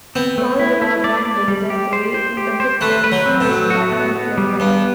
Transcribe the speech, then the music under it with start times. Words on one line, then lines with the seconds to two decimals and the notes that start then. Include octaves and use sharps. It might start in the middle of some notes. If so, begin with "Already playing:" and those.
Barbara Branden's essay in the book was the first biography of Rand.
0.16 B3 C4
0.38 A3
0.59 E4
0.82 E4
1.04 D5
1.25 D5
1.48 G3
1.70 G4
1.93 C5
2.14 C5
2.37 G4
2.60 C5
2.81 A3 B4
3.04 B4
3.12 F#3
3.26 C4
3.41 A2
3.49 F#3
3.70 F#4
3.92 B3
4.15 B3
4.38 G3
4.59 G2 B3